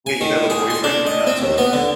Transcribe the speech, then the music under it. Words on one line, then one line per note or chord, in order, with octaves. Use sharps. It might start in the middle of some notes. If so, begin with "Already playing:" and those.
Wait, you have a boyfriend and you're not taking him?
G#5
D#3
G#4
C6
D4
D#5
C4
D#2
B3
D3